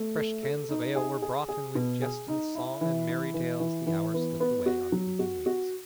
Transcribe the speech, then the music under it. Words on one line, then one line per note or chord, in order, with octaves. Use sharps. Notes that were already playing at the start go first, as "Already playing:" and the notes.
Fresh cans of ale were brought, and with jest and song and merry tales the hours slipped away on fleeting wings.
Already playing: A3
A4
A4
D#4
G#4
G#4
G#4
B2
G#4
D#4
E4
E3
E4
E3
E3
E3
B3
B3
F#4
F#3
F#4
F#4